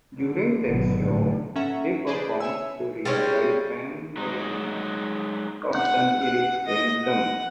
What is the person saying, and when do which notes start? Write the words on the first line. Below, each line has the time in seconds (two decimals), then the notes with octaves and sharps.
During that show, they performed "Gloria" by Van Morrison's Northern Irish band Them.
0.19 D3
0.68 G#1 B2 D3 F#3 B3
1.00 A2 D3
1.56 C#4 A4 E5 F#5 A#5
2.07 G#4 B4 C5 D5 D#5
2.40 C#5 E5 G#5 E6
3.05 G3 G#3 C4 C#4
4.17 F#3 G#3 D#4
5.74 F#5
6.21 F#5
6.66 D#5
7.04 F#5